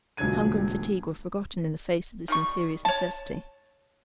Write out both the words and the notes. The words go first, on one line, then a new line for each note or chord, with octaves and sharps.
Hunger and fatigue were forgotten in the face of this imperious necessity.
D#1 C#2 F#3 D4 G#6 D#7
D#3 G3 C#6
C#5 A5